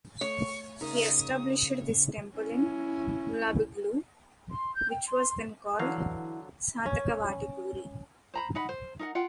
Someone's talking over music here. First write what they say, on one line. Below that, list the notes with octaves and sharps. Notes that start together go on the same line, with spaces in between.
He established this temple in Mulabagilu, which was then called Shathaka Vatipuri.
A3 C#5 C#6
C#3 D#4 A#4 D#6
C#4 E4
C6
G6
G5
C6
D3 E3 F#3 F5
C#4
C5 A#5 B5
D#4 F#5 B5
C5
D#4 A#4 F#5
F4 F#5 G5